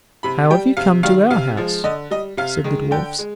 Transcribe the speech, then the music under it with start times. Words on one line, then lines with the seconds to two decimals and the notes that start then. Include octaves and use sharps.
"How have you come to our house?" said the dwarfs.
0.23 C3 B5
0.50 G3 G5
0.77 C3 F5
1.03 D#3 G3 F5
1.30 C3 F5
1.57 F3 G#3
1.84 D3 D#5
2.11 G3 D#5
2.37 C3 F5
2.64 D#3 G#3
2.91 D3 G5
3.18 G#3